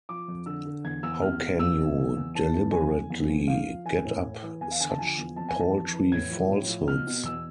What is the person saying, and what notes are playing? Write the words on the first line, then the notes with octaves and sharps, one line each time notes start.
How can you deliberately get up such paltry falsehoods?
F3 D6
F2
D3 E6
D3
E2 G#6
E2 E6
E2 F6
B2
E2 E6
B2
E2
E2
E3 A5
E3
F2 G#5
F2
E2
E2
E2 F5
F3
E3 G#5
A2
A2
E3
E2 G#5
F5
D3 G#5
A5
F3 G#5
E2
F2 A5
G#5
E3 A5
F2
E3
A2 G#6
F3
A2
F3
B2 F6
B2
E2 E6